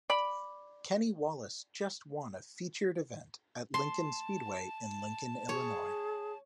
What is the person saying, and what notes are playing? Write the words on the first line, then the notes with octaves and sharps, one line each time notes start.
Kenny Wallace just won a featured event at Lincoln Speedway in Lincoln, Illinois.
D5 B5
A5 C6
G#4 C#5